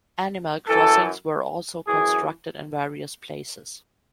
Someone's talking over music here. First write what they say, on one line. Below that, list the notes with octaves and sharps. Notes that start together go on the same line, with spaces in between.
Animal crossings were also constructed in various places.
F#2 E3 A4
F#2 E3 G#4